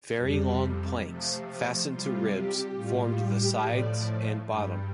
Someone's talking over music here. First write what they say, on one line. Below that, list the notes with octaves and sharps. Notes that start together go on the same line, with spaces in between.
Very long planks, fastened to ribs, formed the sides and bottom.
F2 C3 G3
C3 F3 A3
C3 G3 F4
G4
A2 G3 F4
G4
A2 F3 A3 D5
G2 G3